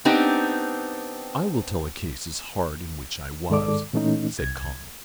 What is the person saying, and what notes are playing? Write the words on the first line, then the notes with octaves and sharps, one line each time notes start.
"I will tell a case as hard in which I was," said Conall.
B3 C4 D4 D#4 G4
G#2 D#3 G#3 A4 D5 D6
A#2 E3 A3 C#4 D#4
C2 G#6